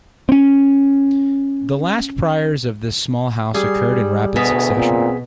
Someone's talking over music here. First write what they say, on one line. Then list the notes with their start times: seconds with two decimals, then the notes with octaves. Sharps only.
The last priors of this small house occurred in rapid succession.
0.29 C4 C#4
3.54 G3 G#4
4.36 D2 B2 B3 G#4 B6
4.76 A#2 C4